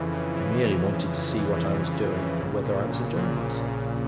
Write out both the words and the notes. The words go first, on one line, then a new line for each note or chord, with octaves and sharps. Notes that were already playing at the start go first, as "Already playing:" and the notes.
He merely wanted to see what I was doing and whether I was enjoying myself.
Already playing: F2 C#3 E3
C#3
E3
E3
E3
F2
E3
F2
F2
C#3
A#1
A#2
A#1
A#2
A#1
A#2